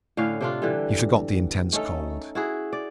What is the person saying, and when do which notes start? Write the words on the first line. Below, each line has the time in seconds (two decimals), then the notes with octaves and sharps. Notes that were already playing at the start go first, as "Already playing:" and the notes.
He forgot the intense cold.
0.17 A2 D3 C#4 F5
0.41 C3 D4 F4
0.62 D3 E3 G3
1.73 A3 C#4 D#4 A4
2.35 E4 F#4 G#4
2.73 D5